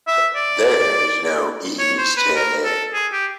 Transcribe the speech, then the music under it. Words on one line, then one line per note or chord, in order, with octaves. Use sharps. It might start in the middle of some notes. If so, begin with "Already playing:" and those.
There's no east in it.
E5
D5
C#5
C5
B4
A#4
A4
G#4
G4